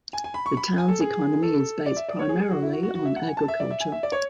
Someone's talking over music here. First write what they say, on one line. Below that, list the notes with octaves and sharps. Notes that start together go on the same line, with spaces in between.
The town's economy is based primarily on agriculture.
G#5
G#5
B5
C#6
B5
G#5
A4
G#4
A4
D5
E5
D5
C#5
G#4
G#4
F#4
E4
F#4
F#4
F#4
E5
F#5
G#5
A5
E5
D5
E5
G#5
E5
D5
C#5